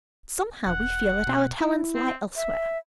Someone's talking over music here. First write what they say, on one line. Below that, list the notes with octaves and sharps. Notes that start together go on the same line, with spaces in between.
But somehow we feel that our talents lie elsewhere.
E1 F#5
B2
E4
C4
E5